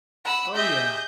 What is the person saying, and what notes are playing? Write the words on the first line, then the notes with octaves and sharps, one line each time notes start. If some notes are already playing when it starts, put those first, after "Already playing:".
Oh, yeah,
F#5 B5 E6
G4 G#4 D#5 E5 G6